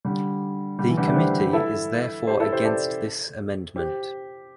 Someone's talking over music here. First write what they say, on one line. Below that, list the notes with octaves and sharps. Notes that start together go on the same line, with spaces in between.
The committee is therefore against this amendment.
D3 G3
D3 G3
E3
D3 G3
A3 D4
G4 C5
E4 A4
G4 C5
E4 A4
G4 C5
A4 D5
G4 C5